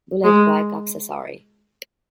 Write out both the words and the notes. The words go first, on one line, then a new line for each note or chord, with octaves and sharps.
Bullet Bike accessory.
G#3